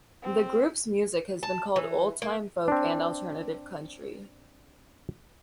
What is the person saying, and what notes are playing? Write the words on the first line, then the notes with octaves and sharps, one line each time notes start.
The group's music has been called old-time, folk, and alternative country.
C4
A5
E3
A#3
C4 D4